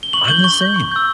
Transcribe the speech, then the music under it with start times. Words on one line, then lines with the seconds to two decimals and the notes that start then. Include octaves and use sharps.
I'm the same.
0.03 G7
0.13 C#6 F#7
0.28 G6 G7
0.44 C#6 G7
0.61 G6
0.76 C#6
0.92 E6 G6